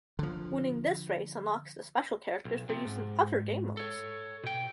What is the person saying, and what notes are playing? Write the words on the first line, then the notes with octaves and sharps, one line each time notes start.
Winning this race unlocks the special characters for use in other game modes.
D3 F3
B1
C3 F3
G#2
A4 C#5
B2 G5